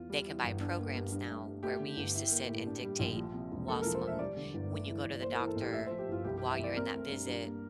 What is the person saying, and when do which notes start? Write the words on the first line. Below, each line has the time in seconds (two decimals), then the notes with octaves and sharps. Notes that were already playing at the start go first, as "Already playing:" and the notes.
They can buy programs now where we used to sit and dictate while someone When you go to the doctor, while you're in that visit,
Already playing: E2 F4
0.10 G3
0.26 E3
0.44 G1
0.60 D4
0.78 A#3
0.95 G2
1.12 G2
1.29 A3
1.46 G2
1.63 A3 G4
1.80 D3
1.97 G1
2.14 E4
2.31 A#3
2.49 A2
2.66 D4
2.83 G3
2.99 A#1
3.17 F3
3.33 C3
3.51 E1
3.68 A#3 A4
3.82 F3 A#4
3.94 C5
4.02 D2 E5
4.19 G3 D5
4.37 D3
4.54 G1
4.71 A3
4.88 E3
5.05 G1
5.22 A#3 C5
5.34 A#4
5.39 E3
5.47 A4
5.56 A1
5.61 G4
5.73 A3 E5
5.87 C5
5.91 F3
5.98 G4
6.08 G1 F4
6.24 C2 G4
6.38 G4
6.42 E3
6.50 E5
6.59 C2
6.64 D5
6.76 C4 A#4
6.93 A3
7.10 G2
7.27 G2
7.44 A#3